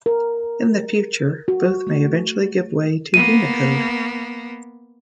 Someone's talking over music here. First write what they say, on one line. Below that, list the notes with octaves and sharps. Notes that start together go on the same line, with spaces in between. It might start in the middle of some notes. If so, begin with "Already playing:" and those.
In the future, both may eventually give way to Unicode.
A#4
F#4
A3
A#3 B3 D#7